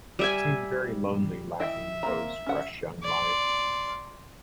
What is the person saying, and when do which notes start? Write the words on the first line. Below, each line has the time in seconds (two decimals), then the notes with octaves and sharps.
It seemed very lonely, lacking those fresh young lives.
0.19 G3 E5 G#5
1.60 E3 D#5 E5 G5
2.03 A#3 C4 A#5
2.46 C#4 F#5
3.03 D5 C6